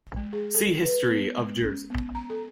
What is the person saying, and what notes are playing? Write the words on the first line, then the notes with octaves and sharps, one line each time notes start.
See History of Jersey.
G#3
G#4
A4
B4
B3
G#3
C#4
B3
A#5
A4